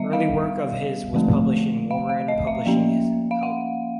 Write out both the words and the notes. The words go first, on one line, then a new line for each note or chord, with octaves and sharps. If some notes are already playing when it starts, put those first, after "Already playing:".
Early work of his was published in Warren Publishing's Help!
Already playing: D#3 G3 B3 D#5 E5
F5
D3 F3 A3 C4
F5
F5
D#5
E5
F3 A#3 C#4
F5
F#5